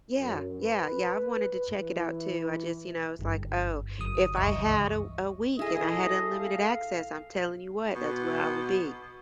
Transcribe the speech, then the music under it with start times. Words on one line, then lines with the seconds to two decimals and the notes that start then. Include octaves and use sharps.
Yeah, yeah, yeah, I've wanted to check it out too, I just you know, it's like, oh, if I had a a week and I had unlimited access, I'm telling you what, that's where I would be.
0.20 F#2
0.61 B4
1.79 E3
3.19 G1 G2
3.99 G1 F#3 D#6
4.36 C#2 G2 E3 D#5 E5 C#6
5.59 E4 G#4 A4 D#5
6.35 F5
7.95 B2